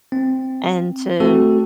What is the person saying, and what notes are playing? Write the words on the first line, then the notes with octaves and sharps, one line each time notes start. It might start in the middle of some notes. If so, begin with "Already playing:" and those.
and to
C4
A3 C4 F#4 A4